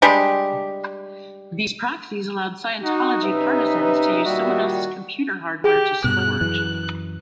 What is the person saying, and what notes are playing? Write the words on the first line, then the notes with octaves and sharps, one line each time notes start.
These proxies allowed Scientology partisans to use someone else's computer hardware to sporge.
G3 G#3 D4 G4
D#4 F#4
C3 C#4 G4 B4 D#5 E5
A#2 D#3 G3 F#4
G4 G#4
G2 B2 F#6
F#2 E3